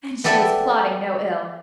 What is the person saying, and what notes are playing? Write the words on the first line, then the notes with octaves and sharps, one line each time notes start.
And she was plotting no ill.
B3 G4 A4 D5 E5